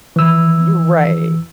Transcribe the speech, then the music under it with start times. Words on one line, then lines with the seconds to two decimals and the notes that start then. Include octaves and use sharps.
Y right.
0.16 E3 E6